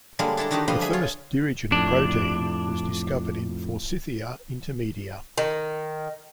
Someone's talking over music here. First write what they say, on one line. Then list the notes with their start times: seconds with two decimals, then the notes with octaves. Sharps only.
The first dirigent protein was discovered in "Forsythia intermedia".
0.19 D3 G3 G#3 A#3 D4
0.37 D4 E4 A4 A5 A#5
0.51 D3 D#3 D4 D#4 F#4 G4
0.68 D3 F3 G3 B4 D#5 C6
0.81 G#4 E5 G#5
0.93 F4 C#5
1.72 F2 A2 D4
5.38 D#3